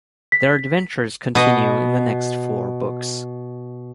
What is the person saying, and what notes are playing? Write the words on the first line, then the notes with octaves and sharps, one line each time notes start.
Their adventures continue in the next four books.
B6
B2 D#5